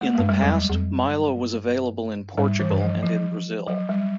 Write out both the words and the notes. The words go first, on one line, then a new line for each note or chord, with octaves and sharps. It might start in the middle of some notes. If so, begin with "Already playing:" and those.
In the past Milo was available in Portugal and in Brazil.
A3
G2 G#3
F#2 G3
F2 F#3
E2
E2
F2
F#2
G2
G#2 G3
E3
G2
F3
F3
F#3
G3